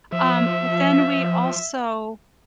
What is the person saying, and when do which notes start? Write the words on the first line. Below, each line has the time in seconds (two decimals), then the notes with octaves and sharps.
um, but then we also,
0.13 F3 E5